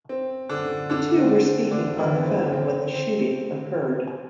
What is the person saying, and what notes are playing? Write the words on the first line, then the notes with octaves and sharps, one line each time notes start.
The two were speaking on the phone when the shooting occurred.
C4
D3 D4
D3 D4
C4
C4
D3 D4
E3 E4
B3
C4
C4
C4